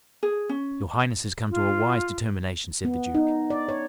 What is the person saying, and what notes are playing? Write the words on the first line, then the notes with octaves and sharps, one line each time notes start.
"Your highness has come to a wise determination," said the duke.
G#4
C#4
F4
B3
D#4
D5
C#5